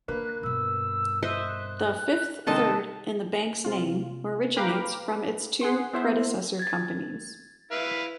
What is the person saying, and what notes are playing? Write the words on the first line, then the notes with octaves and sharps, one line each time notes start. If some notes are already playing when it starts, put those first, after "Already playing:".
The "Fifth Third" in the bank's name originates from its two predecessor companies.
D3 A#3 B4 F#6
G2 B2 E6
C5 D#5 E5 F#6
C3 D#3 G#3 A4 D#5 A5
C3 F4
B4 F5 G5 A#5 B5 D6
G#4 F#5 C6
B3 E4 C5 E5
G#6 A6
E4 B4 F5